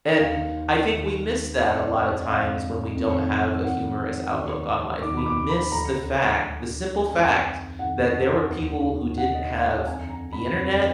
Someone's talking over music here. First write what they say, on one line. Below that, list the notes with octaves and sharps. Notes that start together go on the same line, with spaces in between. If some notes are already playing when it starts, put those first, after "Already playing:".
And I think we miss that a lotta times when we don't have a humorous outlook on life, we miss the fact the simple fact that there were people who didn't have the internet,
D#2 D#3 F5
D#2 D#3
F2 D3 D#5
D5
D#5
D#5
F2 D3 F5
F2 D#3
F2 D#3 F#5
D#2 D#3
D#2 D#3 D6
B5
D6
B5
D2 D3 A#5
D2 D3
F2 D#3 G#5
F2 D#3 F#5
D#2 D#3
D#2 D#3 F#5
D#5
D#5
F5
F2 D3 G#5
A#5
B5
F2 D3